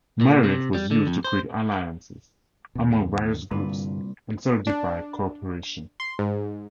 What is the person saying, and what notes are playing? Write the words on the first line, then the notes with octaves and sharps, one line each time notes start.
Marriage was used to create alliances among various groups and solidify cooperation.
A#2
C3
G3
D3
F2
C5
D#2 B2
C2 G2 A#2 D3 A#3 B4
D4
C6
G#2